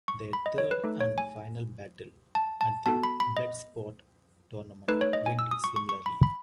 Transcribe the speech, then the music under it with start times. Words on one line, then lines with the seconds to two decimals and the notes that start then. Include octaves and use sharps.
Their third and final battle, at the Bloodsport tournament, went similarly.
0.08 C#6
0.33 B5
0.46 D#5
0.58 C#5
0.71 B4
0.84 A3 D#4 A4
1.01 C#5
1.18 G#5
2.35 A5
2.61 A5
2.86 B3 F#4 A4 A5
3.03 B5
3.20 B5
3.37 D#5
4.88 A3 D#4 A4 B4
5.01 C#5
5.13 D#5
5.26 G#5
5.39 E6
5.51 D#6
5.64 C#6
5.76 C#6
5.89 C#6
6.06 B5
6.23 B5